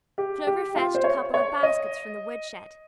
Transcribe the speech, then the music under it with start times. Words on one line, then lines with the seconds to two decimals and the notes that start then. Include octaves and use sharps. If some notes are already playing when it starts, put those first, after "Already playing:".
Clover fetched a couple of baskets from the wood-shed.
0.18 G4
0.47 G4
0.76 F4
0.95 C5
1.04 C#5
1.34 C#5
1.63 D#5